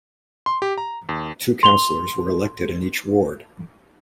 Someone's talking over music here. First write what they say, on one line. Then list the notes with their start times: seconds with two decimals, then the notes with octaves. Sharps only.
Two councillors were elected in each ward.
0.46 C6
0.62 G4
0.78 A#5
1.09 D#2
1.63 C6 F7 G7